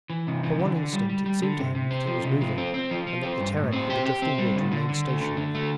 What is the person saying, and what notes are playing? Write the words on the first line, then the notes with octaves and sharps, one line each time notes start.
For one instant it seemed to him that he was moving and that the Terek with the drifting wood remained stationary.
E3
C3
E3
D3
D3
G3
G3
G3
D3
C3
C3
C4
F3
C3
F3
C4
C4
F3
F3
C4
G2
A2
C4
G4
G4
C4
G3
D3
D3
D3
A3
D3
D3
A3